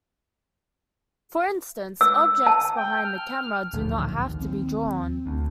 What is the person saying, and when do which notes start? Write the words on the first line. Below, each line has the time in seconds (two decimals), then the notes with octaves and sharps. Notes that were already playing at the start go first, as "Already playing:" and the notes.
For instance, objects behind the camera do not have to be drawn.
2.01 E6
2.47 A5
2.75 G5
3.03 F6
3.73 D1 A#1 D#2
4.26 D#2
4.40 C4
5.26 D2